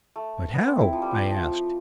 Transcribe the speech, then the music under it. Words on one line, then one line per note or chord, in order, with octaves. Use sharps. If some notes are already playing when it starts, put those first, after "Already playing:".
"But how?" I asked.
A3
B3
C4
E4
F3
G3
F3
F3